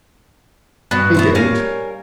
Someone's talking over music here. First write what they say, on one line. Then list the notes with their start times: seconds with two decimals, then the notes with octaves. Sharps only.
He didn't.
0.91 G2 B3 F#4 F#6
1.14 B3 C5 E5
1.35 G3 A#4 C#5 F5 G#5